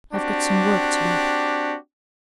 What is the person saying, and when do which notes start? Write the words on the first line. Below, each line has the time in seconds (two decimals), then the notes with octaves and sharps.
I've got some work to do.
0.14 C4 D4 F#4 G4